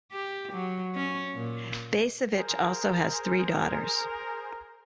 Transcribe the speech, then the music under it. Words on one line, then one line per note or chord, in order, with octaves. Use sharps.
Bacevich also has three daughters.
G4
F#3
C#4
A#2
G#4 A#4 C5